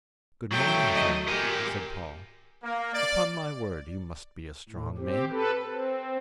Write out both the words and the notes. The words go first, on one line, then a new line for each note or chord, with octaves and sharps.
'Good morning, friend,' said Paul; 'upon my word, you must be a strong man!'
F#3 A3 G5
D#5
G4 A#4 G#5
A#3
D5
A2
C4 G4
A4 B4
C4